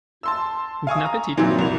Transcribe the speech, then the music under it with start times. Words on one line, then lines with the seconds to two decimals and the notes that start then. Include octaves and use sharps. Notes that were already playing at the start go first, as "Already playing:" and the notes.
Guten Appetit!
0.23 A5 C6 E6
0.87 F5 G#5 C#6 D#6
1.06 A#5
1.37 A#2 E3 F#3 C4
1.58 C2 F7